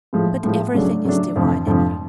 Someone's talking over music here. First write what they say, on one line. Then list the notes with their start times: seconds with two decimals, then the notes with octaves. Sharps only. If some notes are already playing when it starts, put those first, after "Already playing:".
But everything is divine in you....
0.13 A2 F3 G#3
0.44 A2 F3 G#3
0.74 C#3 F#3 A3 D4
1.04 C#3 F#3 A3 D4
1.35 F1 F2 D3 F3
1.66 F1 F2 D3 F3